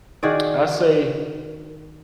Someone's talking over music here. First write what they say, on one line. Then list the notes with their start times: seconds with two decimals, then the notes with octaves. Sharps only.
I say
0.23 D#3 F#4 G#4 D5